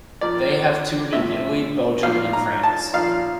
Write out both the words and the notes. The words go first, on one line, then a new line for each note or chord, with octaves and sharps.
They have toured in Italy, Belgium and France.
A#2 F3 D5
A2 F3 E5
A#2 F3 F5
A#5
A5
A#2 F3 F5